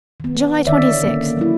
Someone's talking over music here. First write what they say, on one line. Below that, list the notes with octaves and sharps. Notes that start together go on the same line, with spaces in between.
July Twenty-sixth.
D#3 B3
D3 D#3 C#5 D5 E5
A#3 C#4
F#3 E4